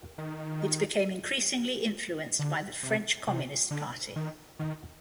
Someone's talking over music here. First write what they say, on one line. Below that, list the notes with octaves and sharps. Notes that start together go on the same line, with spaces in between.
It became increasingly influenced by the French Communist Party.
D#3
D3
C3
C3
D3
D#3
D#3